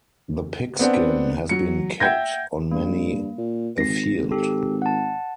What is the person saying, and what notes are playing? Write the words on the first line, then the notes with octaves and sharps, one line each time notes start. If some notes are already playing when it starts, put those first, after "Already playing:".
The pigskin has been kicked on many a field.
B3 C4 D4 F#5
F#3 C#7
E5 F#5 G5 G6 G#6 A#6
G2 A#3
A#2
G#1 A#6 C7
G4 A4
F#5 A5